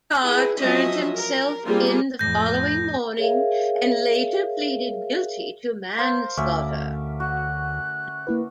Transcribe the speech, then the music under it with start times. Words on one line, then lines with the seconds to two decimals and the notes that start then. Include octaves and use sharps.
Carr turned himself in the following morning and later pleaded guilty to manslaughter.
0.22 E4 G#4 B4
0.59 F3 F#3 C#4 D#5 E5
1.15 A#4
1.66 G3 A#3 C4 F4 G4 G#4
2.19 F2 A2 G6 A#6
3.17 G#4 A#4 C#5 E5 F5
5.98 A#4 C5 F5
6.37 D2 C#4 D5 E5
7.20 F#4 F#6
8.27 A#3 E4 B4